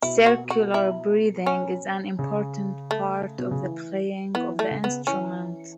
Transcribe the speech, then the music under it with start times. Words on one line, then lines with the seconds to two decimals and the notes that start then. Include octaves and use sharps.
Circular breathing is an important part of the playing of the instrument.
0.02 B2 E4
0.26 F#4
0.50 F#4
0.74 E4
1.46 C#4
2.19 C#3
2.91 A3
3.38 B2
3.51 C#3
3.63 E3
4.35 E3 B3
4.59 A3
4.71 C#3
4.84 B3
5.07 E3 C#4